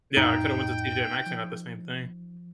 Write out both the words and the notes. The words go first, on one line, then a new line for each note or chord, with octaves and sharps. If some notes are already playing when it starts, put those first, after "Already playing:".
Yeah. I coulda went to TJ Maxx and got the same thing.
F2 A2 D#4 G5
F3